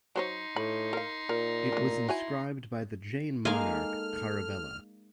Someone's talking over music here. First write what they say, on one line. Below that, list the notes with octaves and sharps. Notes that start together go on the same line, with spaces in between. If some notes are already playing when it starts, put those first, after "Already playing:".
It was inscribed by the Jain monarch Kharavela.
F#3 D#4 C5 C#5 C6
A2 B5
A#4 F5
A#2 A#4
A3 D4
E4 F#4 C#5 G#5
G#3 A#3 D#4 A4 F5 G#5 F6